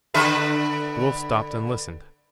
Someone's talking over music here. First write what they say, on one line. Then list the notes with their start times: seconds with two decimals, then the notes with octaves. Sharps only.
The Wolf stopped and listened.
0.14 D3 B4 E5